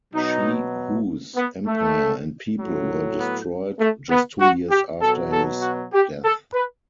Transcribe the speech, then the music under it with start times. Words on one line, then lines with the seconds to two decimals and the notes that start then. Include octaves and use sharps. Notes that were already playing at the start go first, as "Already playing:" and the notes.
Shi Hu's empire and people were destroyed, just two years after his death.
0.13 B2 F#3 D#4
1.35 B3
1.66 A3
2.57 A2 F#3
3.18 B3
3.79 A3
4.09 B3
4.39 F#4
4.70 G4
5.01 B2 F#3 A4
5.31 A4
5.62 F#4
5.92 G4
6.23 A4
6.53 B4